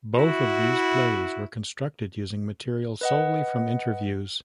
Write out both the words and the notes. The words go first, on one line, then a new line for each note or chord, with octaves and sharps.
Both of these plays were constructed using material solely from interviews.
E4 F#4
B4 D#5 F#5